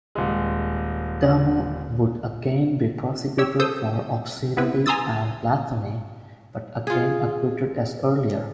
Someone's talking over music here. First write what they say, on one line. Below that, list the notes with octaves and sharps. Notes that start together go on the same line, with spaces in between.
Dehmel would again be prosecuted for obscenity and blasphemy, but again acquitted as earlier.
D#1 G#3
G4 C#5 E6
A4 C5 D#6 E6 G6
B3 C4 E4 B4
G#5 A#5 C6 D#6 E6 A6
F4 G#4